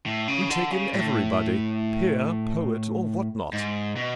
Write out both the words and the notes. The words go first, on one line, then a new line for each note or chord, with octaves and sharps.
We take in everybody--peer, poet, or what not.
A2
C#3
D3
C#3
A2
G#2
B2